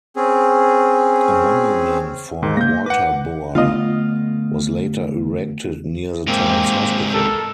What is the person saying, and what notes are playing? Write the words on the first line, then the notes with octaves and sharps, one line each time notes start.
A monument for Waterboer was later erected near the town's hospital.
C4 C#4 G#4
G#2 D#3
A#3 G6 A#6
B4 F#5 D6
D3 A3 B3 F4 D#5
G#2 C3 A#3 C4
A4 A#4